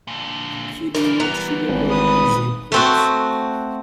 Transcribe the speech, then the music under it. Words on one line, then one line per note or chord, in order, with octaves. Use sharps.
He did not sugar-coat his reports.
A#2 D3
E3 G3 A#4
B3 A#5
G#1
B4 D#6
A3 C4 F#4